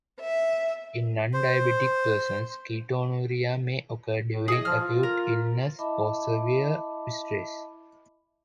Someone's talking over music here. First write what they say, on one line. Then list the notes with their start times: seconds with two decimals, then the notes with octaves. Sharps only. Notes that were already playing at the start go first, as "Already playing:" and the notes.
In non-diabetic persons, ketonuria may occur during acute illness or severe stress.
0.20 E5
1.33 C5
4.29 A2
4.48 G#4 D#5
4.65 F3 F6
4.81 F4
5.03 A#4
5.79 E4 D#5 E5 A5 B5 D6